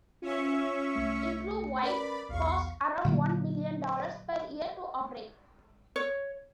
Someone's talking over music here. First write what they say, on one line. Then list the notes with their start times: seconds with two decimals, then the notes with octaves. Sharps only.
"Igloo White" cost around one billion dollars per year to operate.
0.22 C#4 F4 E5 C#6
0.93 C2 A3 C#7
1.82 C#4 A#4 B4 D5 B5
2.29 B1 E2 F5 C#6
3.05 A#2 D3 F#3 A#3
5.96 C#5